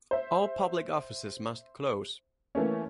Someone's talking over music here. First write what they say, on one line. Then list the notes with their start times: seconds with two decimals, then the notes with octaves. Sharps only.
All public offices must close.
0.11 C5 E5
2.55 E3 A3 A#3 C#4